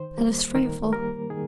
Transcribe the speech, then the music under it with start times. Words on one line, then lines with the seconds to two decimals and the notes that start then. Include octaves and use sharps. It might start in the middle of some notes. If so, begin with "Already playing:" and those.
That is frightful.
Already playing: D#3 C5
0.18 G3 A#3
0.55 D#3 A#4
0.92 G3 A#3 A#4
1.30 D#3 G#4